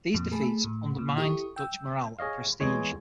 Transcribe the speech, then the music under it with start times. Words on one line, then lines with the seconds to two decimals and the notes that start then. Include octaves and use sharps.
These defeats undermined Dutch morale and prestige.
0.14 F2 A#2
0.31 A3 G#4 A5 B5
0.64 A2
0.99 A#2
1.17 E4 G4 A4 C#6 D#6
1.56 G5 E6
2.19 G#4 C#5 D#5 F5
2.60 E2 G#3 G#4 C#5